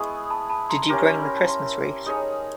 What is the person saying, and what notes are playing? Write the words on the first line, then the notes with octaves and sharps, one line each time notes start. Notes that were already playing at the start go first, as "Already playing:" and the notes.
Did you bring the Christmas wreath?
Already playing: G#3 B3 E4 G#4 B5 C#6
A5 B5
A5 B5
A#5 C6
C#4 E4 G4 A#4 A#5 C6
B5
C6
A5 B5
A#5 C6
D#4 G#4 C#5